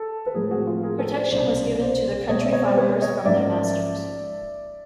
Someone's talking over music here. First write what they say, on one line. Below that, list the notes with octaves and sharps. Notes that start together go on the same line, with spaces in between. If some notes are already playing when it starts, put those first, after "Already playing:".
Protection was given to the country farmers from their masters.
Already playing: A4
B4
A2 F3 G#3 C4 G#4 A#4
F#4 G#4
F4
G#4 A#4
A4 B4
C5 D5
C2 B2 G3 A#3 C#4 C5 D5
C5 D5
B2 G#3 C4 C#5 D#5
D5 E5
C#5 D#5
C5 D5
B4 C#5
C#5 D#5
G#2 F3 A#3 C#4 D5 E5